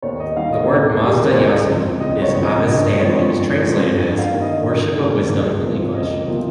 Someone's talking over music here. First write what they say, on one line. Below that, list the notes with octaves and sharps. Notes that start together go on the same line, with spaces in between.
The word Mazda-Yasna is avestan and is translated as "Worship of Wisdom" in English.
D#2 C#5
D#5
D#3 G3 F5
D#5
D#2
D#3 G3 G4
G#4
A#4
C5
C#2 C#5
C#3 F3 C4
C#2 D#5
C#5
C#3 F3 C4
D#5
G2 D#5
D#5
F3 G#3 C4 C#5
C#5
G2
F3 G#3 C4
G2
F5
D#3 G3 A#3
D#5
G2
D#3 G3 A#3
C#2
C3 F3 A#3
C#2 D#5
C3 F3 A#3